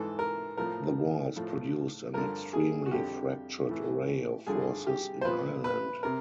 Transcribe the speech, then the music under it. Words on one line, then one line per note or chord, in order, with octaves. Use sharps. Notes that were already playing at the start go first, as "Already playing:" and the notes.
The wars produced an extremely fractured array of forces in Ireland.
Already playing: G#2 E3 A4
A#4
A2 F3 A#4
A2 F3
G2 D3 F3 A#4
G#4
F#4
F2 D3 F3 G4
A2 E3
G2 D3 F3 G#4
G4
C5
A#2 F3 B4
B4
C3 A#4